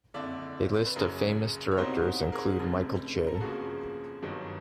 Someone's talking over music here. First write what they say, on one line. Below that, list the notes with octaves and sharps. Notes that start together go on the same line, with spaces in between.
A list of famous directors includes Michael J.
F#1 F2 D3 D5 E5
B4
F#1 F#2 C#3 G#4 A#4
C#5
C2 B2 G3 C4 D#4 A#4 C5
G#4 A#4
F1 F2 C#3
A#4
A4
G1 F2 C#3 F3 A#3 F#4 G#4
G1 G2 D#3 F#3